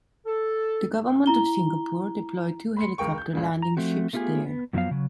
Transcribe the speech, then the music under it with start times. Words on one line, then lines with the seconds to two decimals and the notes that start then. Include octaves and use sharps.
The government of Singapore deployed two helicopter landing ships there.
0.26 A4
1.26 E4 A#5 G7
2.77 B5 C6 C#7
2.98 C#2 A#4 G5 C#6
3.18 G6
3.33 C#2 A#2 C#3
3.62 A#5
3.77 F3 A3 C4 F#4
4.13 A3 B3 F4 G4 G#4
4.45 B3
4.73 F#2 C3 F3 F#3 B3 F5
4.91 C#3 F#3